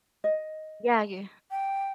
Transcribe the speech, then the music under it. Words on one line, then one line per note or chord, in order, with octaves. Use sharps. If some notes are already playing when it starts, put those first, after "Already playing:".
Yeah, you
D#5
G5